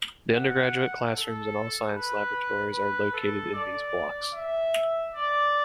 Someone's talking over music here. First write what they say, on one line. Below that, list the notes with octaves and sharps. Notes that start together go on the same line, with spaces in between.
The undergraduate classrooms and all science laboratories are located in these blocks.
F#5
A4
B4
B4
A4
D5
E5
D5